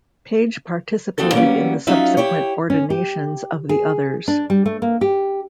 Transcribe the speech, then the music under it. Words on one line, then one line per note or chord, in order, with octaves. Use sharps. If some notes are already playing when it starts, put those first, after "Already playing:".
Page participated in the subsequent ordinations of the others.
D#2 C4 D#4 F#4 A4
F#3 G3 A#3 B3 C#4
F#3 C#4 D#4 F4 E5
E4 G4 C#5
C#4
G4
G#4
D4
G3
A3
A#3
G4